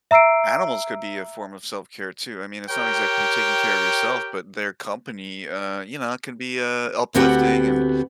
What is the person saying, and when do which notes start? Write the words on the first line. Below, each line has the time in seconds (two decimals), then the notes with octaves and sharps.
Animals could be a form of self-care too. I mean, it's not exactly you taking care of yourself, but their company, uh, you know, it can be, uh, uplifting and
0.11 E5 A#5 E6 C7 D7
2.70 G4 A#4 C#5 G5
7.15 D2 B3 C4 F#4 G4 F#5